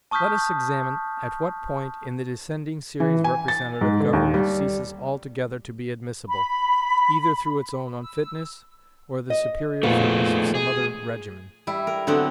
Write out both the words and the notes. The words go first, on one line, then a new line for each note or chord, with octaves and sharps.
Let us examine at what point in the descending series representative government ceases altogether to be admissible, either through its own unfitness or the superior fitness of some other regimen.
A5 C#6 D#6 F6 G6 B6
E3
G#5
A6
G#2
D3
D#2
G3
B5
E6
D#5
F2 A#2 A3 B3 F4 G#4
G#4
G3 E4
A#4
D3 F#3 B3 C4 D4